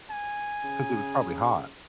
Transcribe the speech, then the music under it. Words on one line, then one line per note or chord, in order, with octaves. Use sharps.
'Cause it was probably hot.
G#5
C#3